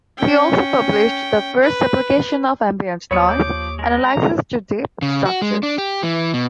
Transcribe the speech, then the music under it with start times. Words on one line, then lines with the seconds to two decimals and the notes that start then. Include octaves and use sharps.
He also published the first application of ambient noise analysis to deep structures.
0.18 C#4 G5
1.62 B4
3.11 D#2 B3 E4 F4 C#5 D#6 C#7
3.28 F3 D6 G6
3.79 G#3 A#4
4.03 A#5
5.02 C#3
5.26 F#4
5.42 G#3
5.63 D4
5.78 G4
6.03 E3
6.34 B2